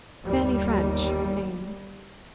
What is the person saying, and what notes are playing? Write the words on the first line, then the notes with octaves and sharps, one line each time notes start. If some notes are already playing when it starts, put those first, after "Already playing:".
Fanny French, her name.
G1 D#2 G3